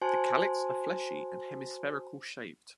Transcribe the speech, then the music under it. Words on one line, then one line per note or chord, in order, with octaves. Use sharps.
The calyx are fleshy and hemispherical shaped.
F#4 C5 G#5 A5 C6